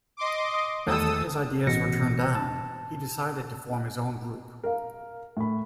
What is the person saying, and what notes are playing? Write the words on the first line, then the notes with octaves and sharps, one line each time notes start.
After his ideas were turned down, he decided to form his own group.
D#5 C6 D6
D#6
E2 D#3 A3 A4 D#6 E6
A1 B2 A#6 C#7
A5
A#4 F5
A2 B5